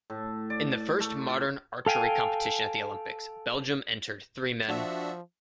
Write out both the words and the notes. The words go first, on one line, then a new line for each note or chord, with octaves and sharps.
In the first modern archery competition at the Olympics, Belgium entered three men.
A2
D5
A3
F4
A4 F5 G5 G#5
F3 D4 F#4 E5